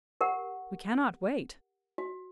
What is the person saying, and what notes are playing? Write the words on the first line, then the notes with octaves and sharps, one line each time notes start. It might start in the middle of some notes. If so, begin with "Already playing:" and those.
"We cannot wait."
G4 A#4 F#5
F#4